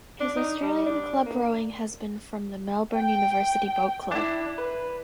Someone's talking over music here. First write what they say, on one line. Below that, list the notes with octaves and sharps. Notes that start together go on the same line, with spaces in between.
His Australian club rowing has been from the Melbourne University Boat Club.
D4
D#4
G3
D4
A#3
G5
D4 E4
B4